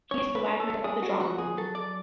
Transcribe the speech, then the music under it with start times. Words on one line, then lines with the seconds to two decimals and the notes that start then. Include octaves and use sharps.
He is the Wagner of the drama.
0.11 C#4 C#5
0.36 B4
0.48 C#4
0.60 A4
0.84 G#3 G#4
1.02 F#4
1.20 F3 F#4
1.38 G#4
1.57 F#3 A4
1.75 D5